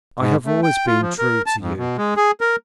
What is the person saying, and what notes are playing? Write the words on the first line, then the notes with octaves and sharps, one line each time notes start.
I have always been true to you.
G#2
A3
G5
F4
F3
A#4
A5
F2
B2
G#3
G#4
A#4